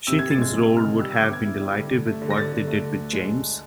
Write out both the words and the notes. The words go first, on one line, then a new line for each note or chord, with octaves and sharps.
She thinks Roald would have been delighted with what they did with James.
C3 E6
C3 G#6
A6
G#3 G#6
G#3
C3
F6
D#3
G3 E6
D3 E6
D6
B3 G#6
E4
G3
D3
D3
A3
D3
A#6
D3 A6
D3
A3
D3
D2
G#3
G#3